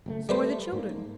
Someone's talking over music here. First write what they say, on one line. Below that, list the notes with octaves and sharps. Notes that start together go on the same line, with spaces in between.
So are the children.
F#1 B2 A3
G3 A3 B4 C5
G#2 A#3